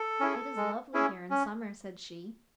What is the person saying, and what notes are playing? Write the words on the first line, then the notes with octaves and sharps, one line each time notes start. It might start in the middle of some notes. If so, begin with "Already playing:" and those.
"It is lovely here in summer!" said she.
Already playing: A4
C#4 E4 G#4
G#3
C#4 E4 G#4
C#4